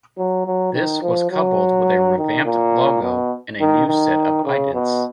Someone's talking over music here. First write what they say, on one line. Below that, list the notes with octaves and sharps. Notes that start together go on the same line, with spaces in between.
This was coupled with a revamped logo and a new set of idents.
F#3
F#3
D#3
F3
F#3
D#3
A#2
B2
D#3
D#3
C#3
B2